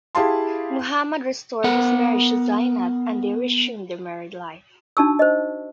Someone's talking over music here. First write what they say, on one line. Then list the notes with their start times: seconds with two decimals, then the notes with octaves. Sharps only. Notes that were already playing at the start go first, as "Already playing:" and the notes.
Muhammad restored his marriage to Zainab, and they resumed their married life.
0.15 E4 G4 G#4 F5 A5 C6
1.64 B3 A#4 F#5
4.97 D4 D#4 F#4 A5 C#6 E6
5.19 C5 D#5